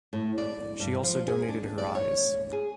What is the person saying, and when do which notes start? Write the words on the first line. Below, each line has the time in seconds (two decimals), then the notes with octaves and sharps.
She also donated her eyes.
0.13 A2
0.38 D5
0.80 G2
1.03 F3
1.28 G#4
1.48 D4
1.78 D5
1.95 C#5
2.52 G#4